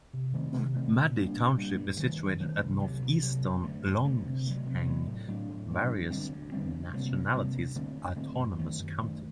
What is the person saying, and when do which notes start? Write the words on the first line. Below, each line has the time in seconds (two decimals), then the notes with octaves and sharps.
Madi Township is situated at northeastern Longsheng Various Nationalities Autonomous County.
0.13 C3
0.33 D#3 A3 C4
0.54 C3
0.75 D#3 A3 C4
0.95 A#2
1.16 G3 A#3 D4
1.36 A#2
1.57 G3 A#3 D4
1.77 G2
1.99 D#3 F#3 A3
2.19 G2
2.40 D#3 F#3 A3
2.60 C2
2.81 C3 F#3
3.02 C2
3.22 C3 F#3
3.43 F#2
3.63 D3 A3
3.84 F#2
4.04 D3 A3
4.25 C3
4.46 F#3 A3
4.66 C3
4.87 F#3 A3
5.07 A2
5.28 F#3 A3 D4
5.49 A2
5.69 F#3 A3 D4
5.90 D2
6.11 D3 G3 C4
6.32 D2
6.52 D3 G3 C4
6.73 D2
6.93 C3 G3 A#3
7.14 D2
7.34 C3 G3 A#3
7.55 D2
7.75 D3 A3 C4
7.97 D2
8.16 D3 A3 C4
8.38 F#2
8.58 D#3 A3
8.79 F#2
8.99 D#3 A3